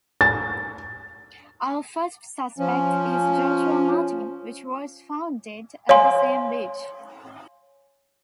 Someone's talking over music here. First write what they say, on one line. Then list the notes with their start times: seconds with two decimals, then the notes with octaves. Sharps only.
Our first suspect is Joshua Martin, which was found dead at the same beach.
0.21 A6
2.59 F3 C#4
5.89 C#5 F5 G#5 C6